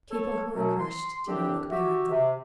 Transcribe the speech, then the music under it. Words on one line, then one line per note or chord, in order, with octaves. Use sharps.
People who are crushed do not look behind them.
A4 C#5
F#2 B2 F#3
C6
A2 D3 D#3 C4 D4 G4
F#4 G4 E5
C3